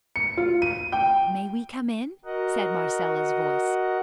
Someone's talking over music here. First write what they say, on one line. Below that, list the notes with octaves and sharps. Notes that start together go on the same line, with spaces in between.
"May we come in?" said Marcella's voice.
C#7
F4
D#7
G5
F#4 A#4 D#5 F#5